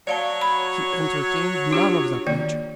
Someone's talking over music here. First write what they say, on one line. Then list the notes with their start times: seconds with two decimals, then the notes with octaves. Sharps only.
He entertained none of that nature.
0.07 F#3 C#5 D5 F5 A5
0.41 B5
1.71 D4 F4 G4
2.27 D#3 A#3 D5